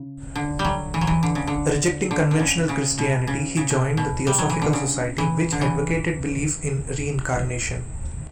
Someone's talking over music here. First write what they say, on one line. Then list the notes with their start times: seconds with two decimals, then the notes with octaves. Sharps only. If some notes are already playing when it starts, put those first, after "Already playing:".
Rejecting conventional Christianity, he joined the Theosophical Society which advocated belief in reincarnation.
Already playing: C#3
0.36 D3
0.59 G3
0.65 F#3
0.94 E3
1.01 F#3
1.07 E3
1.23 D3
1.35 C#3
1.47 D3
2.11 D3
2.31 D3
2.39 C#3
2.69 C#3
2.98 B2
3.27 C#3
3.57 C#3
3.70 B2
3.97 B2
4.27 G3
4.38 F#3
4.50 E3
4.62 D3
4.73 C#3
5.18 E3
5.52 D3
5.61 E3